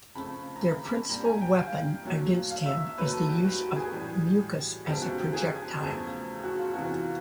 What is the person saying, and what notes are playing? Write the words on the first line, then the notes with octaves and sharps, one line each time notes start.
Their principal weapon against him, is the use of mucus as a projectile.
F2 C#3 F3 A3 B5
A#5
B5
B5
A#2 G3 A#5
G#5
G5
F5
A#2 F#3 A3
F5
E5
A#2 F#3 A3 B4
A4
G4
F#4
G4
G#4
A2 E3 G3
E2 C#3 F3 G#3 G4
F#4
G4
G#4
E2 C#3 F3 A3
F#4
F4
E2 C3 E3 F#4
F4